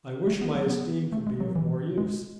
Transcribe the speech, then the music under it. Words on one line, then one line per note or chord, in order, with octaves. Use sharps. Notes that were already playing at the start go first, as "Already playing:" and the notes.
I wish my esteem could be of more use.
A3
B3
F#3
B3
A3
G#3
F#3
E3
G#3